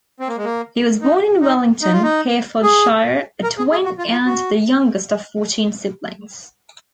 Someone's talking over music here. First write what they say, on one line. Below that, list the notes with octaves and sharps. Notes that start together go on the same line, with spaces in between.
He was born in Wellington, Herefordshire, a twin, and the youngest of fourteen siblings.
C4
A#3
G#3
A#3
D#4
D#4
D#4
F4
D#4
G#4
A#4
G#4
G#4
F#4
F4
F4
F#4